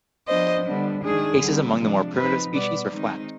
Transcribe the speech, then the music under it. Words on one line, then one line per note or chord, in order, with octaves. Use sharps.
Cases among the more primitive species are flat.
F3 B3 D4 C5 D#5
D3 G3 B3 D4
D#3 G#3 D4 G#4
D3 G3 C4
C3 F3 G#3 D4
C3 F3 C4 D#4 B4
B2 G3 B3 B4 D5
D#3 G#3 C4 D#4